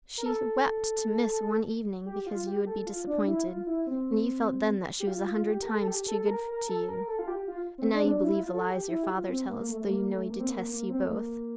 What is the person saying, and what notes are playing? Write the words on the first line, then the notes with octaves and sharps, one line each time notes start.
She wept to miss one evening, because you would be disappointed; and you felt then that she was a hundred times too good to you: and now you believe the lies your father tells, though you know he detests you both.
A#4
A4
G4
F4
G4
A4
F4
D4
E4
F4
E4
C4
G4
F4
F4
G4
A#4
A4
A4
G4
A4
A4
A#4
A#4
A4
A#4
A4
F4
G4
F4
C4
D4
C4
D4
E4
F4
A4
G4
E4
G4
F4
C4
A#3
A3
A3
A#3
A3
A#3
C4
A#3
A#3
C4
A3
A#3